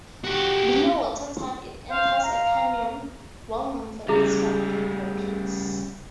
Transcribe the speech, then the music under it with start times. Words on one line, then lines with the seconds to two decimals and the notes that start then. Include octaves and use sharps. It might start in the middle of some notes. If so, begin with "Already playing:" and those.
Below Watertown it enters a canyon, well known for its challenging rapids.
0.24 F#4 G4
1.89 C5 F5
2.23 F5 A#5
4.08 C#3 G3 E4 G#4 E5